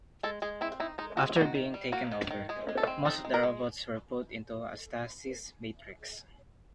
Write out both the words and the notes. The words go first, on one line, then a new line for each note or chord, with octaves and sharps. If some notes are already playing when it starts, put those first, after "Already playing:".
After being taken over, most of the robots were put into a stasis matrix.
G#3 A4
G#3 G#4
C4 E4
D#4 E4
G#3 D#4
G#3 F#4
D#3 F#4
D#3
G3
A#3 F#4
D#3
D#3
G#3 G#4
G#3
A4
C4
D#4 A4
G#3
A#4
G#3